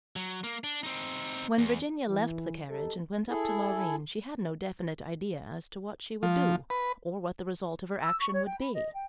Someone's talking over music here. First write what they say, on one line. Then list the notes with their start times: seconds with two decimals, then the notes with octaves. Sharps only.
When Virginia left the carriage and went up to Loreen she had no definite idea as to what she would do or what the result of her action would be.
0.16 F#3
0.44 A#3
0.64 D4
0.83 C4 D#4
1.58 E2
2.09 E3
2.70 G3 D#4 A4
3.29 E4 G#4 A4
6.23 F3
6.70 B4
8.02 E6
8.19 C#6
8.32 C#5
8.46 G5
8.57 B5
8.73 D#5
8.94 G5